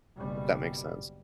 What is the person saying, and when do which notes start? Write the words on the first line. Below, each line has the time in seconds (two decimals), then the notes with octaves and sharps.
If that makes sense.
0.19 F#1 B2 G3